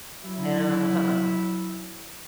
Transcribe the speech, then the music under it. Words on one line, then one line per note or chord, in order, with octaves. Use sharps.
No, uh-uh.
F#3 E4